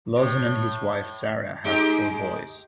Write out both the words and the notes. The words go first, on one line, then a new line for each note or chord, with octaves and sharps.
Lauzen and his wife, Sarah, have four boys.
A2
G#3 D#4 G4